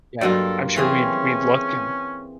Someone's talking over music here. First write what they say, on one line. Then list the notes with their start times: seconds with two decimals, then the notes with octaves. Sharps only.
Yeah, I'm sure we'd we'd look and,
0.21 G2 F#3 A#3 F4 F#4 A4 D5
0.76 E3 C4 C#4 G#4